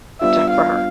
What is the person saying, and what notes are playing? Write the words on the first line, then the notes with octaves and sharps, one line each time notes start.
to for her.
G3 B3 D4 F4 E5
F5